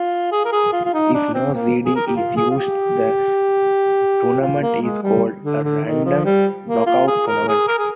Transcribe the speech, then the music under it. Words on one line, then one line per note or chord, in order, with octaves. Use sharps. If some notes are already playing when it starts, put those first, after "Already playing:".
If no seeding is used, the tournament is called a random knockout tournament.
Already playing: F4
G#4
A#4
G#4
F4
F4
D#4
D4
C4
A#3
G#4
A#4
G4
F4
G#4
F4
G4
F4
A#3
G#3
G3
D3
D3
D#3
F3
G3
A#3
F4
G#4
A#4
G#4
A#4
G#4